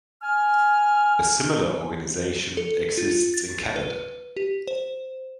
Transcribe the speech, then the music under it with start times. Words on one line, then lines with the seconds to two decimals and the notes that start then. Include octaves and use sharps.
A similar organization exists in Canada.
0.22 G#5 F6
2.57 A4
2.98 F4
3.34 A6
3.76 B4
4.37 G4
4.67 C5